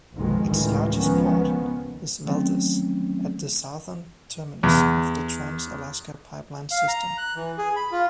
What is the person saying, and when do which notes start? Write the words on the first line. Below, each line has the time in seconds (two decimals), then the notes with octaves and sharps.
Its largest port is Valdez, at the southern terminus of the Trans-Alaska Pipeline System.
0.15 A#1 F2 B2 D#3 G#3
0.45 C#2 A2 D#3 E3 G3 G#3
0.96 C#2 D#3 F3 B3 C#4
2.25 D#3 F#3 A3 C4 C#4
4.63 E2
6.71 F5
6.88 A#5
7.18 F#6
7.36 E3
7.58 G#4
7.76 B5
7.92 F4